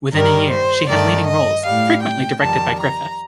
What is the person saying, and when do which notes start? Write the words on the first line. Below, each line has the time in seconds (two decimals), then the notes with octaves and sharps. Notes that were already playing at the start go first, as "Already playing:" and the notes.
Within a year, she had leading roles, frequently directed by Griffith.
0.12 G2 D#3 G3 A#4
0.50 C5
0.89 G2 D#3 A3 D5
1.27 D#5
1.65 A2 G3 F5
2.03 G5
2.41 F2 D#3 G3 A5
2.79 A#5